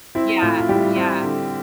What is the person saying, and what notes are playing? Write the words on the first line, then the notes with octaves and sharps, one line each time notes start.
Yeah, yeah.
C4 E4
A2 F4
F4
G3 E4 G4
C4
D3